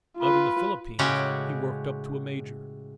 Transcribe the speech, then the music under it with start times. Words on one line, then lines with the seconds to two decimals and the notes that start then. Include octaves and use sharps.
Out in the Philippines he worked up to a Major.
0.18 F4 B4
0.99 A2 C#3 G#3 C#4 F#4 G4